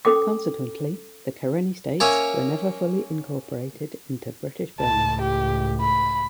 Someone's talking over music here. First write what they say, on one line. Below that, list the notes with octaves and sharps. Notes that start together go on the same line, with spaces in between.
Consequently, the Karenni States were never fully incorporated into British Burma.
C#4 A4 G5 D6
A#3 C#4 C#5 D#5 E5 G#5
C#2 A2 A5
G4
B5